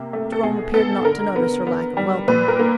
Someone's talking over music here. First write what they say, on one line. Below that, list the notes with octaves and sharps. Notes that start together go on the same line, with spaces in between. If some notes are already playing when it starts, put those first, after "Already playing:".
Jerome appeared not to notice her lack of welcome.
Already playing: C3 A#3
A3
A4
B2 G#4
B3 A4
D3 A#4
B3
B3
G3
A#2 B4
A#4
A#3